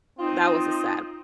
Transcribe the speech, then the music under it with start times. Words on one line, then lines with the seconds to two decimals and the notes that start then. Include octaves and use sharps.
That was a sad
0.19 C4 D#4 F4 D#6